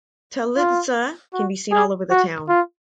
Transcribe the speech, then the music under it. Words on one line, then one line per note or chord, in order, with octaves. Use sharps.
Ptylitza can be seen all over the town.
F4
F#4
G#4
F#4
F4